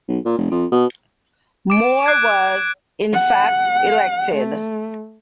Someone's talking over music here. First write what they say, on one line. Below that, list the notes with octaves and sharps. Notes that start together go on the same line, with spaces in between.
Moore was, in fact, elected.
B1
A#2
F1
F2
B2
D6 D7
F#6 G#6
F#5
A3